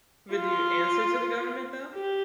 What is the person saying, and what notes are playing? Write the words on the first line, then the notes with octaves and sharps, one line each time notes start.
But do you answer to the government though?
F4
G4